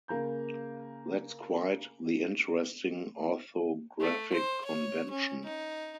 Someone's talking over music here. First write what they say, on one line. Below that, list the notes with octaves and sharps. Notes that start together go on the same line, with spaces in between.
That's quite the interesting orthographic convention.
C#3 A#3 A#5 G6
A3
C5
C#5
C#4
D#4